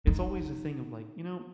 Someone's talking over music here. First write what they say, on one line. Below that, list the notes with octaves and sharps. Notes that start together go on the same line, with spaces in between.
it's always a thing of, like, you know
D#4